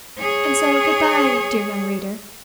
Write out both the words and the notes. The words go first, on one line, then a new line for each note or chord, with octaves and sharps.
And so good-bye, dear young reader!
G#4 C#5